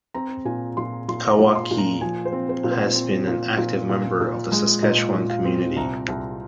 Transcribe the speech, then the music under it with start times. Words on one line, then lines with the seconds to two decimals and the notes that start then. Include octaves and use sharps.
Karwacki has been an active member of the Saskatchewan community.
0.14 C4 A#5
0.45 A#2 G#5
0.77 A#2 C6
1.08 A#2 C6
1.31 A#5
1.39 A#2
1.55 C6
1.71 A#2
1.78 A#5
2.01 F3 G#5
2.25 C5
2.32 C4
2.49 C5
2.64 A#2
2.71 C5
2.96 C4
3.27 A#2
3.58 A#2
3.89 A#2
4.21 A#2
4.52 G#3
4.82 A#2 D#5
5.14 A#2
5.30 F5
5.45 C4
5.76 C2 A#5
6.08 C2